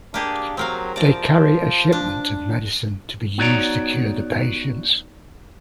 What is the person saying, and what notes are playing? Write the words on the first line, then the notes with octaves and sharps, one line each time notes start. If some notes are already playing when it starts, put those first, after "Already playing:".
They carry a shipment of medicine to be used to cure the patients.
A#3 D4 G4 G#4
F#3 C4 A#4 F5
F3 D5 A#5
D4
B3 D#4 F#4 C#5 D5 A#5